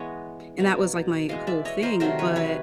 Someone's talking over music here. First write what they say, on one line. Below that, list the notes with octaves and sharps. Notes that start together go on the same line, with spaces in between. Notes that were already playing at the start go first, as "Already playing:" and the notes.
and that was, like, my whole thing. But
Already playing: E3 G#3 B3 C#5 D#5
B2 F#3 A#3
E3 G#3 B3 D#5 F5
D5 E5
C#5 D#5
A#4 C5
C3 D#3 F#3 A3 A#4 C5
B4 C#5
B4 C#5